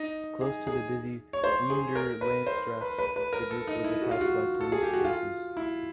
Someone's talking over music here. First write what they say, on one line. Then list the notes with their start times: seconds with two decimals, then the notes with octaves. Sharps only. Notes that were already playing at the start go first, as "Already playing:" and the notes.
Close to the busy "Weender Landstrasse" the group was attacked by police forces.
Already playing: D#4
0.41 G#4
0.67 G#4
1.33 C#5
1.44 C5
1.70 G#4
1.95 A#4
2.21 B4
2.47 C5
2.81 B4
2.98 B4
3.16 B4
3.33 A#4
3.51 A4
3.67 D#4
3.84 E4
4.02 F#4
4.11 F4
4.21 F#4
4.61 A4
4.72 G#4
4.83 G4
4.93 F#4
5.05 F4
5.57 E4